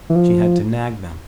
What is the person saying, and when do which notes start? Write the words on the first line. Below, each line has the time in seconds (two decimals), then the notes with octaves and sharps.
She had to nag them.
0.10 E3
0.15 F3